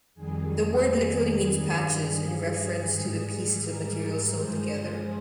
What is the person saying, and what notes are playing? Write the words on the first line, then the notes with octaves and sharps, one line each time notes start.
The word literally means "patches", in reference to the pieces of material sewn together.
F2 D#3 G3 G#4
G2 D#3 G3 G#4
G#2 G3
A#4
G2 F3 G#3 G#4 C5